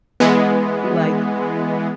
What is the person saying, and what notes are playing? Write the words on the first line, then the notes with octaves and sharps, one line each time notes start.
i like
E3 G#3 B3